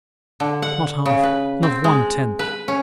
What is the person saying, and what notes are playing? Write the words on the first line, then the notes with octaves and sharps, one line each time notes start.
Not half--not one-tenth.
D3
F#5
C#3
B4
C4
G#3
B4
C#4